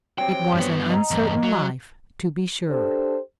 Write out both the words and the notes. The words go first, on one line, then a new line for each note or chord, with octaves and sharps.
It was an uncertain life, to be sure.
F#3 C4 G4 G5
G2 B3
D#5 A#5
E2 G2
F#3
D4 G4 A4 C5